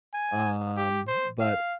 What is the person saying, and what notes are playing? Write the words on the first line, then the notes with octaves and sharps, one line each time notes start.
um, but
G#5
G4
C5
F5